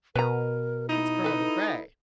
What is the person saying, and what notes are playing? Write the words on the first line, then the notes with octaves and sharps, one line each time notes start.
"It's Colonel De Craye."
B2 A#4 B4 A#5
D#4 E4
A4 B4